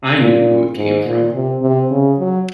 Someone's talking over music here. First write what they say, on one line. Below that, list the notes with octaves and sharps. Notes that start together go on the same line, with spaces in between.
I knew who it came from.
A#2
G#2
A#2
C3
C3
C#3
F#3